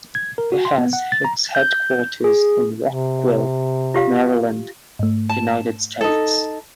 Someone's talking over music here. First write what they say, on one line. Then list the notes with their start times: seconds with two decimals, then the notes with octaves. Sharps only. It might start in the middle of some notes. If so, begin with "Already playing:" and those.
It has its headquarters in Rockville, Maryland, United States.
0.15 G#6
0.38 A#4
0.52 F#4
0.65 C6
0.78 B3
0.93 F#5
1.12 A6
1.25 A#5
1.55 G6
2.24 G#4
2.86 C3
3.94 F4 G4 F5
4.99 G#2 A3
5.29 A5
6.01 D#4 A4